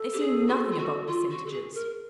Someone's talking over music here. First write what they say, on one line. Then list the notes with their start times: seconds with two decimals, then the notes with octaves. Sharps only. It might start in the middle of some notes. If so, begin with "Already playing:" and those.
They see nothing above percentages.'
Already playing: A4
0.13 G4
0.18 G#4
0.47 F#4
0.71 F4
0.77 F#4
1.07 F4
1.29 F#4
1.46 A4
1.51 G#4
1.74 A#4